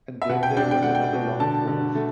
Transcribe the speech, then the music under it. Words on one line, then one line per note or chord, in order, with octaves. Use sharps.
Then there was another long pause.
E5
B2 F#5
G5
D4 G5
G5
A3 F#5
G5
B2
D3 A5
D3
A3